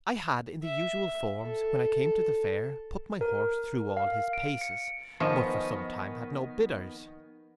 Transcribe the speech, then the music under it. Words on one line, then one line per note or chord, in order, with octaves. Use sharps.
I had, in the usual forms, when I came to the fair, put my horse through all his paces; but for some time had no bidders.
E5
A4
A#4
F5
D7
C#7
D#3 F3 B3 D#5 G#5 C#6